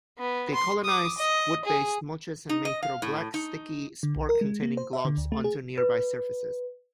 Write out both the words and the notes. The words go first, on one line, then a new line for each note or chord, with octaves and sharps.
They colonize wood-based mulches and may throw black, sticky, spore-containing globs onto nearby surfaces.
B3
C6
D6 D#6
D#5
G#4
D#4
D#5
F5
A2
D#4
D3
B1
A#4
G#3
A#3
C5
E5
D3
D2
A3
G#4
B4